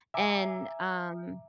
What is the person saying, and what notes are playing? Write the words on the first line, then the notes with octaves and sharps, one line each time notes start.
And um,
E5 G#5 A#5 D6